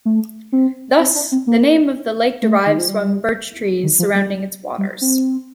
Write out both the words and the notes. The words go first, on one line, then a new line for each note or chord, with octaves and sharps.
Thus, the name of the lake derives from birch trees surrounding its waters.
A3
C4
C4
D4
C4
A#3
A3
D#3
F3
G3
D#3
F3
G3
G3
C4